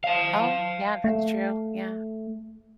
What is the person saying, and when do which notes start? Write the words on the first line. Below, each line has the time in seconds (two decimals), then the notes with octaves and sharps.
Oh, yeah, that's true. Yeah.
0.04 F5 A5
1.04 A3